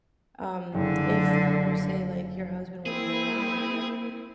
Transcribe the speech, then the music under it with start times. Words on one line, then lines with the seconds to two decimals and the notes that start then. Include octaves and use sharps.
Um, if, per se, like, your husband wasn't around,
0.74 F#1 D3
2.86 A#3 C4 E4 G#4